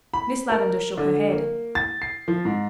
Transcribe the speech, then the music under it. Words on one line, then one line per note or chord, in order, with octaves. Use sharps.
Miss Lavendar shook her head.
B5
A#4
D3
A#3
A6
C7
F3
G#2